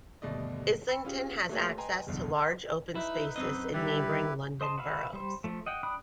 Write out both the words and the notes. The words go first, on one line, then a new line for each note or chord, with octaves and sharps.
Islington has access to large open spaces in neighbouring London boroughs.
G1 D#2 B2 A3 D5 D#5
B5 E6 C#7
C#4 F4 G4 G#4
A3 A#3 F#4 G#4 B4 C#5
B4 D#5 G5 G#5 A#5 C6
F#1 B1 E2 D3
D#4 E4 B4
F#2 C4 D#5
D3 G3 E4 G4 B4
C5 D#5 A5 C6
F#4 B4 E5 F5
G3 C5
F3 A3
D#5 F#5 G5
D4 G5 B5 D#6 F#6